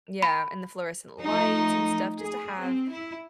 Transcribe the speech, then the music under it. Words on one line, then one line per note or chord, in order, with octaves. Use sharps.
Yeah, and the fluorescent lights and stuff, just to have,
B5
F3 A3 D#4
G#4
C4
E4